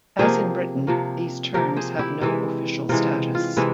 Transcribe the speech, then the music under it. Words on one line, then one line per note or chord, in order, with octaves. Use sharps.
As in Britain, these terms have no official status.
C3 F3 A#3 G#4 C5
C3 F3 A#3
C3 F3 A#3 G4 A#4
G#4 C5
E4 G4
C3 E3 G#3 E4
C3 E3 G#3 F4
F4
C3 E3 G#3 E4